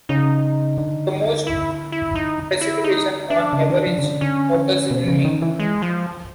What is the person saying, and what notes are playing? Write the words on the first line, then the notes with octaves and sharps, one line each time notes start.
The most precipitation on average occurs in May.
C#3 D#4
D3
E4
E4
D#4
E4
D#4
D4
C#3
D#3
F3
C#3
D3
D3 C#4
B2
C#3
D#3
E3
G#3
F3